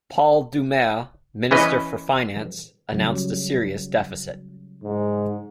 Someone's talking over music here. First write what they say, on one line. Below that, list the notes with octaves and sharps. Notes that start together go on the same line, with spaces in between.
Paul Doumer, minister for finance, announced a serious deficit.
E3 C#4 B4 D#5
C#3 F#3 G3
G#2